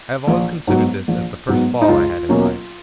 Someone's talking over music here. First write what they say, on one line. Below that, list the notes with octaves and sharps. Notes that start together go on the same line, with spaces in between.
I have always considered this as the first fall I had in life.
A#1
G#2 F#3 B3
A#1
G#2 F#3 B3
D#4
C#2 F4
B2 F#3 A#3 C#4